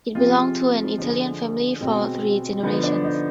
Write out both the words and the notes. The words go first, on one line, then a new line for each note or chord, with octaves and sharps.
It belonged to an Italian family for three generations.
C3 F3 G#3 C4 F4
D3 F3 G#3
B2 G#3 C4
D3 F3 B3 D#4
D4
D#4